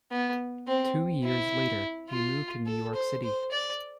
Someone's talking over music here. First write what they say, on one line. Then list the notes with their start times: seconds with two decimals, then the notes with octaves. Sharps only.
Two years later he moved to New York City.
0.11 B3
0.67 C4
1.24 E4
2.10 F4
2.66 A4
2.95 C5
3.23 C5
3.52 D5